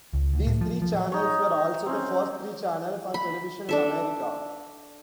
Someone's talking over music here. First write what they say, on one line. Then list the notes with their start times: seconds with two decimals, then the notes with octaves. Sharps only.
These three channels were also the first three channels on Television in America.
0.13 C#2
0.34 D2
0.47 A2
0.61 F3
0.82 F3
1.12 D#4 C#5
1.86 C4 C#4
3.14 B5
3.69 D4 A4 E5